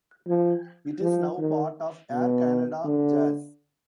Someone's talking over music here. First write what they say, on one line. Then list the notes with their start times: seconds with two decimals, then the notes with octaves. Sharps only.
It is now part of Air Canada Jazz.
0.28 F3
1.01 F3
1.38 D#3
2.12 B2
2.85 D3